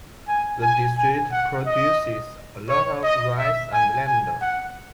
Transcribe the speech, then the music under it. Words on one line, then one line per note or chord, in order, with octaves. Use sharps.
The district produces a lot of rice and lavender.
G#5
G#5
G#5
F#5
D#5
C#5
D#5
E5
G#5
G#5
F#5